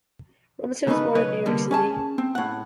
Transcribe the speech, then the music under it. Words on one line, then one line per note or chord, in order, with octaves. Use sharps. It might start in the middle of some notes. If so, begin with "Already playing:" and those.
Robinson was born in New York City.
C#3 A3 B3 D#4 B4
B1 C#3 B4 C#5 D#5
C2 D3 G3 A#3
C#4 G#4 A5
C4
A2 F#5